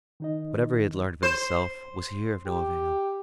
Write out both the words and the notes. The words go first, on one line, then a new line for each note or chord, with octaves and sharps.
Whatever he had learned of himself was here of no avail.
D#3 D#4 D#5
C5
G4